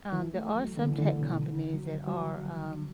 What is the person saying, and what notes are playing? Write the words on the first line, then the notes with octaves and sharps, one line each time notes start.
Um, there are some tech companies that are, um
E3
A3
F#3
D3
E3
D3
B2
D3
F#3
F#3